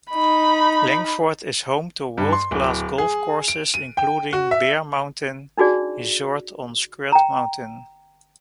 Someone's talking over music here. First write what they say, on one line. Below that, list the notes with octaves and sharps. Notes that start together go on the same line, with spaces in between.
Langford is home to world-class golf courses including Bear Mountain Resort on Skirt Mountain.
D#4 B5
G2
C6
D1
G#4
D7
D#7
G5
F#4
E5
D4 D#4 F#4 G#4 D5
G5 A#5